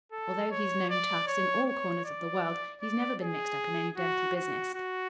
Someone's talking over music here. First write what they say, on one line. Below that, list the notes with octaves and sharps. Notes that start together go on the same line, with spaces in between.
Although he's known toughs in all corners of the world, he's never been mixed up in any dirty business.
A4
C#5
D5
C#5
C#5
D5
D5
G#4
F#4
F#4
F#4